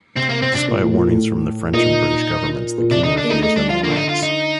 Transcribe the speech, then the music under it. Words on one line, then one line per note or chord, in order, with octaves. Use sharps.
Despite warnings from the French and British governments, the king refused an alliance.
C3 C4
A#3
C3 C4
D4
A#2
A2
A#2
A2
A#2 D#4
A#2
C3 D4
D3 D#4
D4
A#3
A3 D#4
A3 D#4
G3 D4
F3 F4
D3 A#3
D4
D#4
F4
D#4